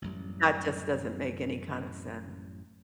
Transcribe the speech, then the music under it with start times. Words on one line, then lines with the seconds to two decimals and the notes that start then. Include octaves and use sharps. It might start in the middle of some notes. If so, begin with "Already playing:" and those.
That just doesn't make any kinda sense.
0.02 A1 F#2 G3